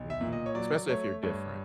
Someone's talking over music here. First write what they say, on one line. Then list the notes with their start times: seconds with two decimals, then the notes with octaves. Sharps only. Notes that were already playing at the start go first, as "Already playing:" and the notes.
Mhm. Especially if you're different.
Already playing: B1
0.10 E5
0.21 A#2
0.32 D#5
0.46 C#5
0.55 F#3 D5
0.89 A3 C#5
1.23 G2 C#5